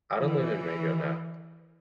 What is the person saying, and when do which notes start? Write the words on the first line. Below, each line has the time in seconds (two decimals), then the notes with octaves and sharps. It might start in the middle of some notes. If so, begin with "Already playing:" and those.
I don’t live in Maigo now.
0.18 E3